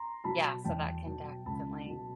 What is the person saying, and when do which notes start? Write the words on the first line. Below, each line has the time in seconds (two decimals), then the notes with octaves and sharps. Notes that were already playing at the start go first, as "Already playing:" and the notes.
Yeah. So that can definitely
Already playing: A#5 C6
0.24 B2 F#3 A5 B5
0.65 E2 G5 A5
1.06 B2 F#3
1.46 C#2 A5 B5
1.86 B2 F#3